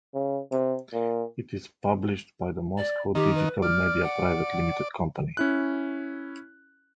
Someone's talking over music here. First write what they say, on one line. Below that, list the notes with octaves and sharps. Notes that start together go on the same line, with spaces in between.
It is published by the Moscow Digital Media private limited company.
C#3
C3
A#2
D5
D#3 G4
B4
D5 F6
F#5
C#4 E4 F#6